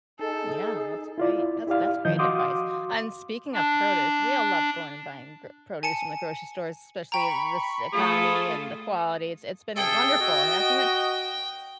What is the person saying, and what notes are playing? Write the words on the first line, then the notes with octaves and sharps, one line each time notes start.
Yeah, that's great. That's that's great advice, and speaking of produce, we all loved going and buying gr produce from the grocery stores, especially th this economy and the quality, it's it's been wonderful, hasn't it?
D#4 G#4 A4
E4 F4 D5
E4 G4 D5 F5
D#3 F3 D#5 G6
F#4 F5 C6 D6 D#6
D4
G#5 A5 C#7
G5 A#5 B5 C#6
A3 F4 G#4 A4
C3 G#4 A4 G5
F#4 D#5